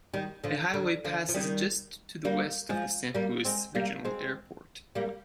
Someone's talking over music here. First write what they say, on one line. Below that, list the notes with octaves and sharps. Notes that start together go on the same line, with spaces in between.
The highway passes just to the west of the Saint Louis Regional Airport.
D#3 G3
D3 F3
D3
D3 F3
F3
D#3 G3
G3 A#3
F3 G#3
G3 A#3
G#3 C4
G3 A#3
G#3 C4
G3 A#3